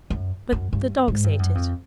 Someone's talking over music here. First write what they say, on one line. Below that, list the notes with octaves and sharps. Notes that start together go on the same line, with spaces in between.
But the dogs ate it.'
F#2
F#2
G2
G#2
G2
F#2
F2